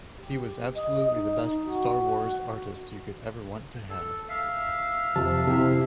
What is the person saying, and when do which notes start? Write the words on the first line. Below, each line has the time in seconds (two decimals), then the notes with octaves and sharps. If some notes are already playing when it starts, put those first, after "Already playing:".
He was absolutely the best "Star Wars" artist you could ever want to have.
0.17 G4
0.74 D#5
1.14 D#4
1.64 F#4
3.90 A4
4.29 E5 F5
5.16 F2 C3 A5
5.47 C3 E4 G4